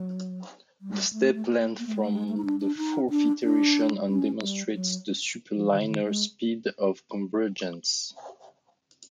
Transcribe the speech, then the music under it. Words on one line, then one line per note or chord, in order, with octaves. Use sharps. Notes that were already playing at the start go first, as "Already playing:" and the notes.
The step length from the fourth iteration on demonstrates the superlinear speed of convergence.
Already playing: F#3
G3
A3
A3
A#3
A#3
A3
G#3
A3
G#3
A3
D#4
D4
D4
D#4
D4
D4
C#4
G3
F#3
F3
D#3
D3
D#3
G#3